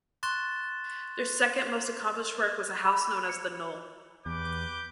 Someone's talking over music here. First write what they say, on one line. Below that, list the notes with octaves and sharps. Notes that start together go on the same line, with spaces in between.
Their second most accomplished work was a house known as "the Knole".
C6 C#6 F#6 A6 E7 G7
B5
C#7
E2 G4 B4 D6 G6